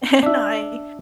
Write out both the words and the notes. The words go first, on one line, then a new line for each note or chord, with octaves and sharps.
and I
D4 E5